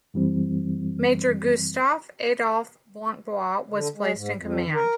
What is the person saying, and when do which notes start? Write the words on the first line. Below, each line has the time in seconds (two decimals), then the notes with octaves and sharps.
Major Gustav-Adolf Blancbois was placed in command.
0.14 F#2 E3 G3 C4
3.71 D3
3.96 G#3
4.15 G#2
4.37 F2
4.63 D#3
4.74 A#4